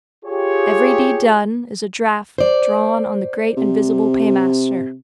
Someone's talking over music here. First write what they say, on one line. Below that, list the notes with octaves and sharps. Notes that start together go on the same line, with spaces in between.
Every deed done is a draft drawn on the great invisible paymaster.
F4 G4 G#4 C#5
C5 D5
C3